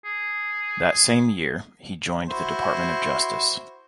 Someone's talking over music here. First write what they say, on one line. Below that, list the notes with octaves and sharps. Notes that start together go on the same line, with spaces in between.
That same year he joined the Department of Justice.
G#4
E4 F#4 C5